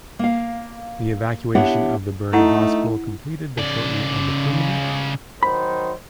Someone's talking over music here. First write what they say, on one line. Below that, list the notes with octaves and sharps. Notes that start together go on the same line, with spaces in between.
The evacuation of the burning hospital completed the shortening of the perimeter.
A#3 F5
B3 D4 E4 G4 C#5 F#5
A3 D#4 E4 F#5
C#3 D5
D#3 F#3 C5 B5